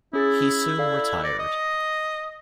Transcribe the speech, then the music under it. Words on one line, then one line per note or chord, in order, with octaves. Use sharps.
He soon retired.
C#4 E4 G#4 A6
A4 D5 F5
D5 A#6 C#7
D#5